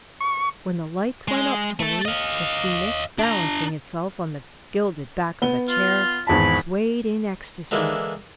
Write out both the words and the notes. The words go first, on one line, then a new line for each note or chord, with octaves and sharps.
When the lights went up fully, the Phoenix, balancing itself on the gilded back of a chair, swayed in ecstasy.
C#6
G#3
A3 A4
D#5 F5
D4 A#5
B3 G7
F4
G#1 E2 A5 B5
D3 E3 G#3 A#3 E4